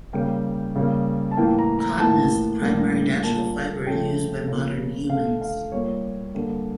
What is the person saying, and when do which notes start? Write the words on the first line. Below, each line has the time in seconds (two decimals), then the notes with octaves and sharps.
Cotton is the primary natural fibre used by modern humans.
0.13 C#3 G3 A#3 G5
0.75 C#3 G3 A#3
1.31 A5
1.37 A2 E3 A#3 G5
1.59 A#5
1.79 A#5
2.00 A2 E3 A#3 A5
2.62 A2 G3 A#3
3.23 A#2 G3 A#3 A5
3.85 C#3 F3 A3 G5
4.48 C#3 F3 A#3
5.10 D3 A3 F5
5.41 F5
5.72 A#2 G3 A#3 C#5
6.34 D3 G3 A#3